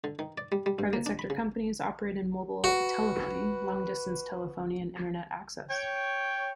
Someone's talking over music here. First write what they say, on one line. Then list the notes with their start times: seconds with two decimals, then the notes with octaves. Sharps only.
Private sector companies operate in mobile telephony, long distance telephony and Internet access.
0.04 D3
0.19 D#3
0.38 D5
0.52 G3
0.66 G3
0.79 G2
0.93 A#3
1.06 D4
1.19 B5
1.30 C#3
2.64 F#4 B4
5.70 C#5 G5